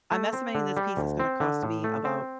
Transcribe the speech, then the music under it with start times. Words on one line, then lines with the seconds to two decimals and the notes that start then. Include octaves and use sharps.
I'm estimating this piece is gonna cost me about"
0.12 A3
0.33 C4
0.55 D3
0.77 G3
0.97 D2
1.20 C4
1.40 D3
1.63 A2
1.84 A3
2.05 C4